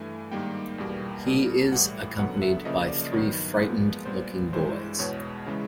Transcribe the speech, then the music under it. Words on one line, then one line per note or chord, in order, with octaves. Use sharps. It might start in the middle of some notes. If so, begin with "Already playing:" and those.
He is accompanied by three frightened-looking boys.
Already playing: G2 E3 A3 G#5
G#2 D#3 G3 A#3 G5
E2 B2 G3 A#3
B2 G3 A#3
A2 E3 G3 F#5
F#2 D3 F#3 B3 F#5
E5
C#3 F3 A#3 D#5
D5
G2 D#3 F#3 B3 C#5
A#2 F3 G#3 B3 B4
A#2 G3 B3 C5
G2 E3 G#3 C5
E2 B2 G#3 B3 C#5
C#3 E3 G#3